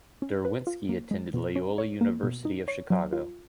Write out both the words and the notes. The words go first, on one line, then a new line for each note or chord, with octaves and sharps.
Derwinski attended Loyola University of Chicago.
C#4
B4
F4
A#3
G#3
B2
C#4
C#5
A#3
B2
D#4
C#5
F#3
F4